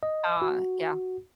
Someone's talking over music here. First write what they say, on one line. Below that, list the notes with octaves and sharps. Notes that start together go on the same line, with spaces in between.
Ah. Yeah.
D#5
F#4